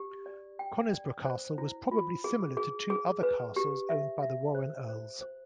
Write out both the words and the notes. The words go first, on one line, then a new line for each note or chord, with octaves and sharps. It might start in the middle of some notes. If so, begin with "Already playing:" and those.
Conisbrough Castle was probably similar to two other castles owned by the Warren earls.
Already playing: G4
D5
G5
D5
C5
E4
F4
G#4
G#4
G#4
B4
G4
E5
E5
C5
C5
C5